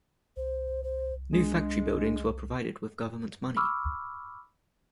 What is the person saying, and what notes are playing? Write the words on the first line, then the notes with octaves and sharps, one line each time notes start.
New factory buildings were provided with government money.
C2 C5
C5
G#3 D4
B5 C#6 D6 E6 F6